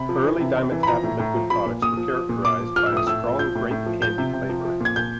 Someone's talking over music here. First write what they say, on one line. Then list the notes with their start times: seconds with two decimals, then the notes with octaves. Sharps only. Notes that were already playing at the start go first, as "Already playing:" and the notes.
Early Dimetapp liquid products were characterized by a strong grape candy flavor.
Already playing: C3 B5
0.09 F3
0.24 E3
0.40 C3
0.56 C3
0.72 E3
0.83 B5
0.87 F3 A#5
1.03 A2
1.19 A2
1.35 F3
1.50 F3 B5
1.66 A#2
1.82 A#2 D#6
1.97 F3
2.13 F3
2.29 A#2
2.45 A#2 D6
2.60 F3
2.76 F3 F6
2.86 E6
2.92 A2 D#6
3.07 A2 E6
3.24 F3
3.39 F3 G6
3.55 A2
3.71 A2
3.86 F3
4.02 F3 G6
4.18 C3
4.33 C3
4.49 F3
4.65 F3
4.80 A#2 G#6
4.96 A#2 G6